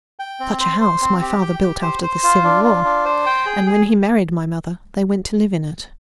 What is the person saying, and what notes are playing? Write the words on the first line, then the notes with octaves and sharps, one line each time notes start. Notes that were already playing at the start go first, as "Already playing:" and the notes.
Such a house my father built after the Civil War, and when he married my mother they went to live in it.
G5
C4
C5
C5
C4
G4
G5
G4
C5
C5
F4
D4
F4
D4
C5
G5
G#4
G#4